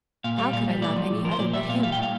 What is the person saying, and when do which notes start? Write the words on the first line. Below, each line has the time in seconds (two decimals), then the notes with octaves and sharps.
How could I love any other but him?
0.24 A#2 F5
0.38 G3 F5
0.53 A#2 F5
0.67 G3
0.81 A2 D5
0.96 F3
1.11 A2
1.24 F3 A#4
1.31 C5
1.39 A#2 D5
1.53 G3 E5
1.69 A#2 F5
1.83 G3 F5
1.92 G5
1.97 A2
2.02 F5